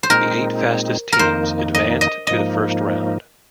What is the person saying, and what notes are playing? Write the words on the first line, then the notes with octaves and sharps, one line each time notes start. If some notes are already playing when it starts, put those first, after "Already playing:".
The eight fastest teams advanced to the first round.
C5
A#2 G#3 C4 D#4 A#4
A#4
F2 D#3 A#3 D#4 C5
D#5
D#5
G#2 F3 A#3 D#4 D#5